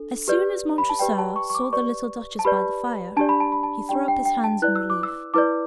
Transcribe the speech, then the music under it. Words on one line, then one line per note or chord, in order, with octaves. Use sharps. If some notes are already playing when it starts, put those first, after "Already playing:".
As soon as Montresor saw the little Duchess by the fire, he threw up his hands in relief.
Already playing: D4 A4
G4 B4 D5
B5
A5
G4 B4 D5 G5
A5
C#6
C#6
D6
G4 B4 D5 C#6
A5
G4 B4 D5 B5
D4 G4 D5 A5
B5
A5
B5
A5
D4 G4 D5 G5
G5
G5
A5
E4 B4 D5 F#6
E6
D6
E6
E4 B4 D5 D6